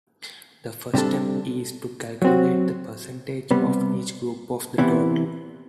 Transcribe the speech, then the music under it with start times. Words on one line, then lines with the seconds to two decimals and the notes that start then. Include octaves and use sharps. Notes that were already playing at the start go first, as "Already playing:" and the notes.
The first step is to calculate the percentage of each group of the total.
0.94 C3 G3 D4 A4
2.22 F#3 C4 F#4
3.51 C3 G3 B3
4.78 C3 E3 B3 E4